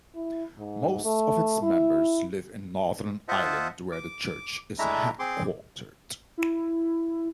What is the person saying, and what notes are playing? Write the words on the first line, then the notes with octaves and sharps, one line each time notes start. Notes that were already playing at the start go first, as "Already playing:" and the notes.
Most of its members live in Northern Ireland, where the church is headquartered.
E4
G#2
A3
E4
F4 C5 D#5 E5 F#5 A5
D6
G#3 A3 D4 E4 E5 A#5
C4 G#4 C6 D6
E4